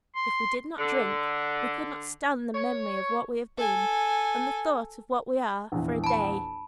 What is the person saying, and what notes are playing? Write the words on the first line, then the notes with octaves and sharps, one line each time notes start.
If we did not drink, we could not stand the memory of what we have been, and the thought of what we are, for a day.
C6
D3
C#5
A4 G#5
A#1 E2 E3
A5 B5